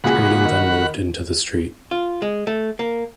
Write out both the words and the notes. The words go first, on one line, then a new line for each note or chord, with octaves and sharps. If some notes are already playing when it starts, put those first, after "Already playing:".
Trading then moved into the street.
C#2 A#2 F#4 G#4 F#5 B5
D#3
F4
G#3
A3
A#3